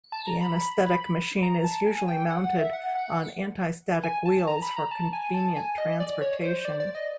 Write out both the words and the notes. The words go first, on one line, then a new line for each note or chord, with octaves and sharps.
The anaesthetic machine is usually mounted on anti-static wheels for convenient transportation.
A5
A#5
B5
A#5
A5
G#5
G5
F#5
F#5
E5
F#5
F#5
G#5
A5
A#5
B5
A#5
A5
G#5
A5
G#5
D#5
D5
C#5
C5
D5
D5
D#5